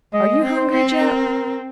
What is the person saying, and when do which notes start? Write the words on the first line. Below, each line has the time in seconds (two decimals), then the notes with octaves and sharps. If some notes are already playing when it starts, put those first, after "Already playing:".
"Are you hungry, Jap?"
0.13 G#3 D#5
0.42 C4
0.57 C5
0.70 C4
1.00 A#4